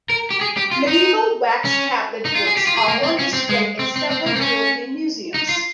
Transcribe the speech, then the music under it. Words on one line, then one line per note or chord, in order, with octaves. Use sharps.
Medieval wax tablet books are on display in several European museums.
A#4
G4
G#4
G4
F4
D#4
C#4
D#4
F4
G#4
G4
F4
G#4
A#3
C4
C#4
C4
G#3
C4
C4
C4
A#3
C4
C#4
D#4
F4